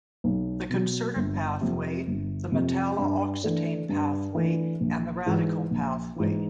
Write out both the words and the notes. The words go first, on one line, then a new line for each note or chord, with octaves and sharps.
The concerted pathway, the metalla oxetane pathway and the radical pathway.
B1
B2 F#3
G1
F2 C3
G1
F2 C3
G2
E3 A3 D4
G2
E3 A3 D4
A#1
G#2 E3
A#1
G#2 E3